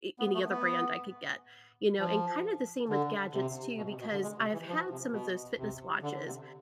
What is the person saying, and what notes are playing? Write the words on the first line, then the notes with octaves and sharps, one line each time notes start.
a any other brand I could get, you know, and kinda the same with gadgets, too, because I have had some of those fitness watches
B3
A3
B3
F3
D3
C3
B2
C3
B2
D3
G#3
C3
E3
F3
C3
B2
C3
D3
C3